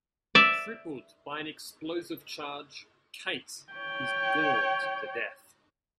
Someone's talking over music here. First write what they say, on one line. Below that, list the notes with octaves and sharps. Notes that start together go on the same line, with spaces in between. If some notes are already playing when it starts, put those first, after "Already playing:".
Crippled by an explosive charge, Kate is gored to death.
D5 E5
C#5 G5